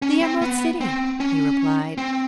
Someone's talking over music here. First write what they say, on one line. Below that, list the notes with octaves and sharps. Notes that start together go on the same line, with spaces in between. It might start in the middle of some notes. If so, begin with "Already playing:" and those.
"The Emerald City," he replied.
C#4
C4
B3
C4
C#4
C4